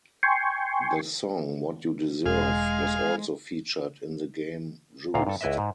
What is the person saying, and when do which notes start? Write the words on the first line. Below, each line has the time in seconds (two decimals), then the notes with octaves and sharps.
The song "What You Deserve" was also featured in the game "Juiced".
0.23 G5 G#5 C6 C#6
2.26 E1 G#3 G#4 F5
5.14 D2 A#2 F5
5.27 G2 A4
5.41 C#2 E4 B4 D#5 E5
5.58 G#2